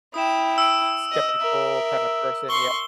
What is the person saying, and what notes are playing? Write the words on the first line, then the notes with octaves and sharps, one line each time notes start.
skeptical, kinda person yeah,
E4 G5 D#6 E7
E6 D7
D#5
A#4 E5
C6 C#6 G7